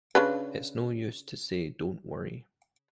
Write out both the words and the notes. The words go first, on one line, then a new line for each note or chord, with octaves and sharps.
It’s no use to say don’t worry.
C#3 D4 B4